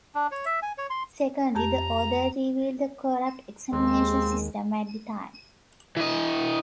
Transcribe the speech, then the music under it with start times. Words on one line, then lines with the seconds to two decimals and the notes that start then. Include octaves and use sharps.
Secondly, the author revealed the corrupt examination system at the time.
0.15 D4
0.31 C#5
0.45 E5
0.62 G#5
0.78 C#5
0.90 C6
1.55 F2 G4 A5 A#5
3.73 D#2 G#3 C4
5.97 E3 D#5